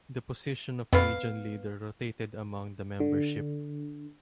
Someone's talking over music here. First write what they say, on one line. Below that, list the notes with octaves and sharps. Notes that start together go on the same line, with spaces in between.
The position of Legion leader rotated among the membership.
F2 B3 F5
D3